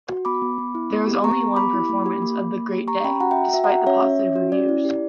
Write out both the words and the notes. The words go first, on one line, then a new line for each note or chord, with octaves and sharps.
There was only one performance of "The Great Day", despite the positive reviews.
F#4
B3 B5 D6
B3
B3
E4
B3
G4
B3 A#5 C#6
B3
G4 B5 D6
E4
A#3
G4
A#3
A#3
A#3
G4
G4 A#5 C#6
C#4 G5 B5
F#4 F#5 A#5
E5 G5
F#4
F#4 E5 G5
F#5 A#5
F#4
C#4 C#5 E5
C#4
C#4
F#4
C#4 D5
E4
G4